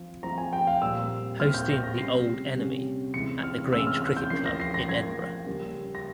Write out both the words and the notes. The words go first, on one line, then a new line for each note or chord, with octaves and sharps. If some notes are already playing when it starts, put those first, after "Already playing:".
Hosting the Auld Enemy, at the Grange Cricket Club in Edinburgh.
Already playing: F3 C4
F3 C4 A#5
G#5
G5
F5
A#2 G3 C4 E6
A#2 G3 C4 F6
G6
A#6
A#6
C3 G3 C#4 C7
C3 G3 C#4
C3 E3 G#3 C#4 C#7
F6
C3 E3 G#3 C#4 E6
F6
F6
G6
F3 A#3 C#4 C7
A#6
C7
A#6
F3 A#3 C#4 G#6
C#3 G3 A#3 C#4
A#6